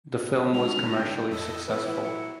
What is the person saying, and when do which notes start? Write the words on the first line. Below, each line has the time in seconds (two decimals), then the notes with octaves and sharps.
The film was commercially successful.
0.53 G2 D3 G#3 C#4 D#4 F7
0.95 G5
1.31 F2 E4 A4 D#5 E6
1.68 E3 F3 B3 E4 B4
2.04 F#3 C#7